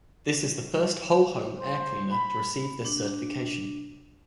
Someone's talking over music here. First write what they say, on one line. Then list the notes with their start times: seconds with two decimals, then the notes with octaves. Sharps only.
This is the first whole home air cleaner to receive this certification.
1.60 C5
2.12 B5
2.85 D4